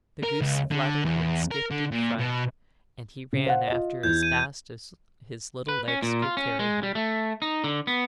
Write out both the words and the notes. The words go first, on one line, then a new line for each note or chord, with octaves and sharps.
The goose fluttered and skipped in front, and he ran after as fast as his little legs could carry him.
A#4
C#2
D3
E2
A#4
D3
A#2
B2
C#3
C5 F5 F#5
F4 D#5
E2 E3 G6 G#6
D#7
B4
C#4
A#2
F4
C#4
G#3
G3
A3
D#4
D3
B3